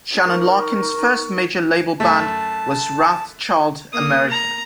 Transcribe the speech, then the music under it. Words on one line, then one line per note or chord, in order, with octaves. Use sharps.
Shannon Larkin's first major label band was Wrathchild America.
D#4 A#4 C#6
F#2 A3 A5
A#3 D#6
A#5